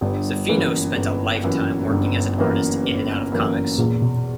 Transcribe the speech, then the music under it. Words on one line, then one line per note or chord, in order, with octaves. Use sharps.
Zaffino spent a lifetime working as an artist in and out of comics.
G1 G2
F#2 E3 A#3
G1
F#2 E3 A#3
G1 G2
F#2 E3 A#3
G1
F#2 E3 A#3
E2 A#2
B2